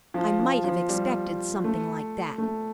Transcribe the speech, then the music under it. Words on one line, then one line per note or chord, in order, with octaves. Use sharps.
I might have expected something like that.
F3
F3
F3
G3
A3
A3